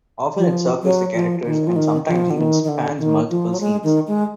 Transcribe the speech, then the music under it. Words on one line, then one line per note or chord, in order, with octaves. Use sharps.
Often it circles the characters, and sometimes even spans multiple scenes.
F3
F#3
F3
D#3
F3
D#3
F3
D3
D#3
D#3
D3
D#3
F3
F#3
G#3
D#3
G#3